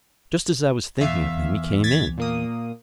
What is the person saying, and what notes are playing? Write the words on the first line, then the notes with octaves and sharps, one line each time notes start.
Just as I was thinking of him he came in.
E2 E5 F5
G#6 A6 B6
A#2 A#3 D#6